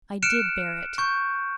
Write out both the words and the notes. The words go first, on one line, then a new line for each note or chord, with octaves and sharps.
I did bear it.
F6 F#6 C#7 D7 E7
C#6 G6